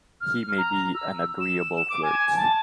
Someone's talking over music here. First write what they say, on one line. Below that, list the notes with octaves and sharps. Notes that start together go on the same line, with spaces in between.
He may be an agreeable flirt.
F6
A#5
E6
E7
D6
G#5
A5